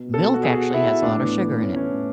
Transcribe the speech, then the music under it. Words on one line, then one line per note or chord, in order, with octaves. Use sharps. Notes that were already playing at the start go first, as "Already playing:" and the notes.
milk actually has a lot of sugar in it.
Already playing: B2
B2 A4
F#4
B2 G#4
F#4
B2 E4
A2 D4
E3 B3
A2
E3
A2 C#4
E3 C#4
A2